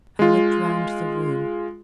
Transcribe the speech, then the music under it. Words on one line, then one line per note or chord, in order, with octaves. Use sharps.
I looked round the room.
G#3 F4